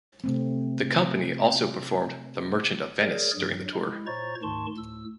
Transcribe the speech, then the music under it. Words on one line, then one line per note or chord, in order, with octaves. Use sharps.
The Company also performed "The Merchant of Venice" during the tour.
C3 A3 C4
G#4 A#4 C#5 D5
G2 F#3
G#3 E4
A#2 C5 C#5 A#5 C#6 A6
D2 G#2 D#3 A5 C6 C#6
D2 A2 E6